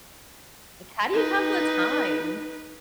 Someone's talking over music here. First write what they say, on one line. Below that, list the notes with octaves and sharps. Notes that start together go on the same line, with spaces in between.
Like, how do you have the time?
D#4 B4